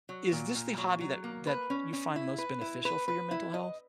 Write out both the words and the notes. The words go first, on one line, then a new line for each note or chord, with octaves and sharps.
is this the hobby that that you find most beneficial for your mental health?
F#3
A#2
A#2
F#3
F#3
A#3
B4
C#4
C#4
E4
B4
E4
B4
B4
E4
D#5